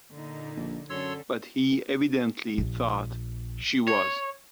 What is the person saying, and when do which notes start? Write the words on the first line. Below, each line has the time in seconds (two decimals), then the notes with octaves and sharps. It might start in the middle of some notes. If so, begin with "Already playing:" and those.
But he evidently thought she was.
0.12 A#2 D3 D#4
0.57 A#1
0.90 F#2 D3 C#4 A4 C#5 C6 E6
2.58 A#1
3.88 C#5